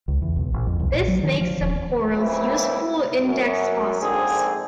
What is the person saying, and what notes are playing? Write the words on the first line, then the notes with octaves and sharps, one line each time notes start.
This makes some corals useful index fossils.
C#2
E2
B1
A#1
F2
C2
A#1
F#3
D#3
F3
D#1
C#2 F#2 C#3 E3 C4 E4
F#2
A#1 G#2 D3 C4 G#4